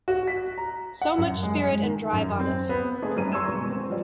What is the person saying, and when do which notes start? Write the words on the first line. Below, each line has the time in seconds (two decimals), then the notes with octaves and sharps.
So much spirit and drive on it.
0.08 F#4
0.27 B6
0.58 A#5
1.02 F#5
1.18 F#2
1.43 G#3
1.55 G#3
1.83 D#3
2.13 F#2
2.39 C4
2.69 B3
3.02 A3 C4 D#4 E4 G#4 A5
3.16 F#2 G3 A#5 D#7
3.32 A#5 C6 C#6 E6 G#6 E7
3.47 E1 E2 B4
3.69 C4
3.90 F3 G3 D5